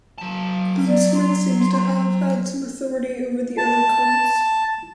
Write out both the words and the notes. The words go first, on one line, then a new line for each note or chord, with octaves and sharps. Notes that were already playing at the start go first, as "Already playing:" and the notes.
Ansemund seems to have had some authority over the other counts.
F#3 A5
D5
C6
A5